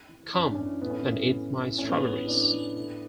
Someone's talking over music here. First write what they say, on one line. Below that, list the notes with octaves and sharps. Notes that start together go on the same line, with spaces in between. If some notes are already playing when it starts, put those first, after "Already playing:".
Come, and eat my strawberries.
E3
F#2 C#4
D4
E3 C#4
A2 B3
C#4
B3
E3
A2
E3
A2 C#4
B3
E3 C#4
A2 B3 D4
E3
A2